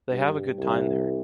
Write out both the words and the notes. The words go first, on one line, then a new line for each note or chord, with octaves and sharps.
They have a good time there.
G2
C2